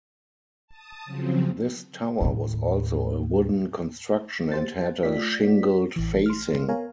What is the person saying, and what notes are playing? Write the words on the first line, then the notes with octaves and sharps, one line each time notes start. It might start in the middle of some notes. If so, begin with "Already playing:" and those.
This tower was also a wooden construction and had a shingled facing.
A5 D#6
C#3 F3 F#3 C4
D#2 A2
G4 C5 A6
A3 F4 D5 B6
A1 E3
C6 F6
B3 A#4 C#5 F5 G#5 A#5